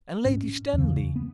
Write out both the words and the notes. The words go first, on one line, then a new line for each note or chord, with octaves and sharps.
And Lady Stanley!
G#2 C#4
E2 C#3
B3